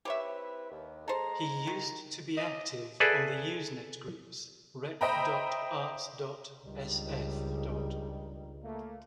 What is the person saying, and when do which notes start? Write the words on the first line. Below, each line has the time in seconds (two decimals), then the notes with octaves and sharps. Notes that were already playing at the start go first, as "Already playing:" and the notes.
He used to be active on the Usenet groups rec.arts.sf.
0.05 C4 E4 G4 B4 C#5 E5
0.71 D#2
1.08 G#3 A4 C5 A#5
1.67 D#3
2.37 D#5
3.00 G#4 A4 B4 D5 E5
5.01 C5 D#5 E5 G5 A#5 B5
6.66 C#2 G2 D#3 G3
8.63 A3 A#3